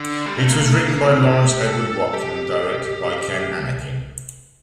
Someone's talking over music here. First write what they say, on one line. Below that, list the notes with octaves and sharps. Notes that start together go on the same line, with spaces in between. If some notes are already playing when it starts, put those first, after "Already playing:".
It was written by Lawrence Edward Watkin and directed by Ken Annakin.
Already playing: D3
G3
A3
A#3
A3
A#3
G4
A4
G4